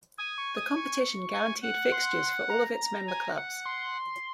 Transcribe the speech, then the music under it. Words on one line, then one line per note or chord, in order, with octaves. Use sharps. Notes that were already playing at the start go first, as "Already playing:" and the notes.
The competition guaranteed fixtures for all of its member clubs.
G#5 D#6
C#6
D#6
C#6
G#5
F#5
C6
A#5
G#5
F#5
C6